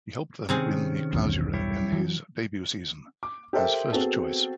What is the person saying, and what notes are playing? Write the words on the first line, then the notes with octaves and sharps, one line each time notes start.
He helped them win the Clausura in his debut season, as first-choice.
C3 D#3 C4 C#4 G#4
B1 E2 G2
G3 E4 C#5
E3 F#3
D6
G4 A4 A#4 C5 E5 G5
B3 C4 F#4 G#4 A4